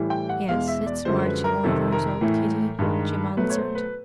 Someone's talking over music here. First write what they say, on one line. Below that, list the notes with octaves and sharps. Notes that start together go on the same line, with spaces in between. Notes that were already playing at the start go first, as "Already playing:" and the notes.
"Yes, it's marching orders, old kiddie," Jim answered.
Already playing: A2 E3 G3
G5
F#5
E2 B2 G#3 F5
E5
D5
F#2 D3 F3 G#3 C5
B4
A#4
F2 C3 D#3 A4
A#4
A2 E3 A3
G2 D#3 G#3
B2 F#3 A3 B4
C#5
C5
B4